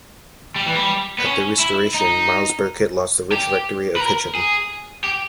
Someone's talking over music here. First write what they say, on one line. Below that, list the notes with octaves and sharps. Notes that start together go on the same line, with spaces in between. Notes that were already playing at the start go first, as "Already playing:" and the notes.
At the Restoration, Miles Burkitt lost the rich rectory of Hitcham.
G3
E3
G3
B3
C#4
E4
D#4
G4
B4
A#4
G#4
G4